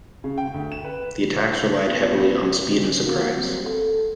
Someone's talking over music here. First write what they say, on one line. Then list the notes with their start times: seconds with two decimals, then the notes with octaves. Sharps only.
The attacks relied heavily on speed and surprise.
0.24 C#3
0.38 G5
0.54 D2
0.72 E7
0.84 B4
1.86 A#2 B3
2.64 F#3 G3 C4 C#4 D#4
3.02 A#3 F#4
3.34 F#3 G3 C4
3.65 A4